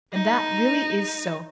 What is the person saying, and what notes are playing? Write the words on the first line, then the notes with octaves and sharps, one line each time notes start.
And that really is so.
D#4